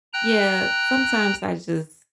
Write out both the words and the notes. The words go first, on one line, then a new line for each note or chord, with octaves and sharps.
Yeah, sometimes I just
G5 A#5 F#6